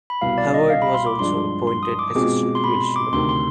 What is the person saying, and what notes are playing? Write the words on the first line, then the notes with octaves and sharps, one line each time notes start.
Howard was also appointed Assistant Commissioner.
B5
C2 B2 B3 F5
D5
D#5
F5
B5
C6
D6
G2 F3 G#3 D4 C6
C6
D#6
D6
B2 G#3 C4 F4 G#4 D6
C6
B5
C6
D6
D2 C3 D#3 C6
C6